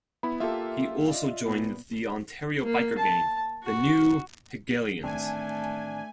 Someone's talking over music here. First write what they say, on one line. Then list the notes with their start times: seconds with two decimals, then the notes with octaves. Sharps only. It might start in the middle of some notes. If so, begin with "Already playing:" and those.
He also joined the Ontario biker gang The New Hegelians.
0.23 B3 E4 B5
0.40 A#3 F4 G4 A4 E5
1.08 D5 D#5 F5
1.46 A#2 B3
2.64 A#3
2.98 A5
3.64 F#4
5.04 A1 D#3 A3 C4 D4 G#5